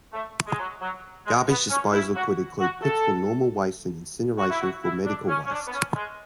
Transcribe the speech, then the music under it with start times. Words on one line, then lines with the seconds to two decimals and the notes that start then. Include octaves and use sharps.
Garbage disposal could include pits for normal waste and incineration for medical waste.
0.13 A3
0.47 G#3
0.59 F#3
0.81 F#3
1.26 G#3
1.48 B3
1.70 C#4
1.93 E4
2.15 F#4
2.60 F#4
2.82 A4
4.38 F#4
4.50 E4
4.61 F#4
4.84 E4
5.06 D4
5.28 C#4
5.47 C#4
5.50 D4
5.68 B3
5.72 C#4
5.95 G#3